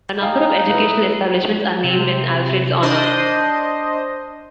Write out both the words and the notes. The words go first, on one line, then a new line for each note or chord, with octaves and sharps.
A number of educational establishments are named in Alfred's honour.
D#4 F5 G5 G#5
E4 B4
C3
D4 C5 D#5